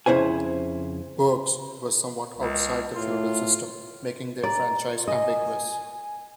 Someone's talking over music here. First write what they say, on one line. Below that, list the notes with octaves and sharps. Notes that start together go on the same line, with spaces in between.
Burghs were somewhat outside the feudal system, making their franchise ambiguous.
F2 C#3 E4 C5 G#5
C#2
A2 F4
D5 A#5
F4
D#5 G#5